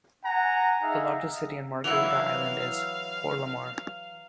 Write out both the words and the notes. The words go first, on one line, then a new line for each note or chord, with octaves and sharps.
The largest city on Margarita Island is Porlamar.
F#5 G#5 A#5
D#4 G#4 E5 F5
E3 F#3 E4 F5 F7